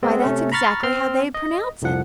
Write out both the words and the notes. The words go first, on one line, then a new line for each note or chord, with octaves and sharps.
"Why, that's exactly how they'd pronounce it!"
G#3 B3 C4
C3 A3 C#4
A#5 B5 C#6 F6 A6 B6
C4 C6 F6
D#5
C2 F2 F3 F#5